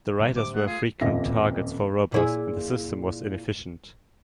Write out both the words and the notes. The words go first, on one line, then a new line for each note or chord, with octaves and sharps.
The riders were frequent targets for robbers, and the system was inefficient.
A2 D3 G3
C3 D6
A3 F#5
F4 G#4
D#1 A1 F2 F4 E5 A#6
A#2 E4 G#4